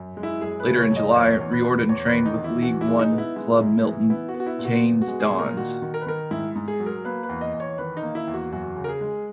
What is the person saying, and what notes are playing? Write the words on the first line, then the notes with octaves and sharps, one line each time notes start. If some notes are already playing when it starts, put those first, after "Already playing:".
Later in July, Riordan trained with League One club Milton Keynes Dons.
Already playing: F#2
G#3
E4
F#2 G#4
B4
C#3
C#5
F#2
D#5
E2 C#5
E2
B4
E2
E2 C#5
B4
D#3
D#4
E2
E4
E3 F#4
E4
G#3
D#4
B3
E4
G#3 E4
G#2
E3
B3 E4
F#4
B3
F#4
E4
A#2
F#4
B3
F#4
G#3
G#4
A#2
A#4
D#3 F#4
D#3
A#4
B4
D#3 A#4
G#2 E4
G#2
G#4
F#3
A#4
A#3 B4
B4
E2
D#5
E2
C#5
D#3 B4
D#4
A#3
E4
E2
F#4
F#2 F#4
C#3
A#4
G#4
G#3